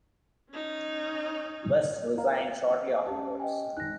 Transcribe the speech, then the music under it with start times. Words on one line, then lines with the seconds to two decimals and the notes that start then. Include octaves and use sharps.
West resigned shortly afterwards.
0.51 C#4 D#4
2.18 F5 A#5
3.06 C#4 G4 A5
3.40 D#5 G5 G#5
3.77 G#1 D#4 F#6 A#6